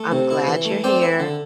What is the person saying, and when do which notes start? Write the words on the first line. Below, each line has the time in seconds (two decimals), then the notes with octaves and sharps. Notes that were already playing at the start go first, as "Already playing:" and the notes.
I'm glad you're here.
Already playing: A3
0.12 C3
0.30 E4
0.47 E3
0.65 A3
0.84 C4 D5 G5
1.02 E4
1.20 D3